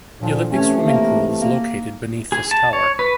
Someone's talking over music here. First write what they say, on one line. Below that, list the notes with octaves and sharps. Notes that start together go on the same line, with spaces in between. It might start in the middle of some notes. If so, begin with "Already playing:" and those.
The Olympic swimming pool is located beneath this tower.
A#2 D3 F3
C3 E3 A3 C#4
A#3
A#3
G#4
A5
C#5
B4